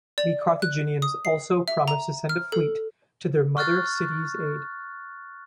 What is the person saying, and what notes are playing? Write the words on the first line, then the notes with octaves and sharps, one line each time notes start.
The Carthaginians also promised to send a fleet to their mother city's aid.
D5
F#6
D#6
C7
E5
A#5
F6
A4
C#6 F6 F#6 A6